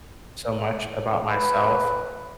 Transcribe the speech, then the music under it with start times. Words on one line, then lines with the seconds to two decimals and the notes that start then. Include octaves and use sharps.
so much about myself
1.30 B4